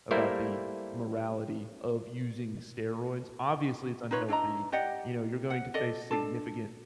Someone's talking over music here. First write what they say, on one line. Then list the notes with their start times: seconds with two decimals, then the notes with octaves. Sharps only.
about the morality of using the steroids. Obviously, it's unhealthy, you know, you're going to face significant
0.11 G3 A3 A#3 E4 A#4 C5
4.11 D#4 F4 B4 C#5
4.28 D4 E4 D#5 A#5
4.72 G4 D5 D#5 F#5
5.50 F#5
5.74 A4 D5 D#5
6.11 D4 A4